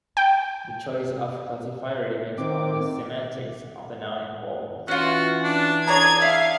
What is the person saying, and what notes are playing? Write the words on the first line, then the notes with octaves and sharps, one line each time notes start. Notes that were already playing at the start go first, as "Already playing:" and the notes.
The choice of classifier depends on the semantics of the noun involved.
G5
D#3 C4 D6
E3 C#4 F4 F#4
D4
D4 G#4 C#5 A#5 G#6
E4 F5